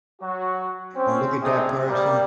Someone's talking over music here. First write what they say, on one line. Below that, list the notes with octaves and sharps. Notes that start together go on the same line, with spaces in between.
and look at that person
F#3 F#4
C4 C#4
B1 C3 C4 D4 D#4 G#4
G3 A#3